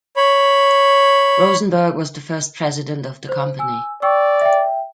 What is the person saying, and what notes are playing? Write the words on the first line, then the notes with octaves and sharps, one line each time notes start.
Rosenberg was the first president of the company.
C#5 B5
C5
G#5 E6
D5 G5 C#6 E6
E5 G5